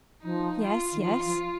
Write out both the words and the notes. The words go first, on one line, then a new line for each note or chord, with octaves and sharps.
"Yes, yes!"
F3 D#4
F4
D#3
F3 F4
F3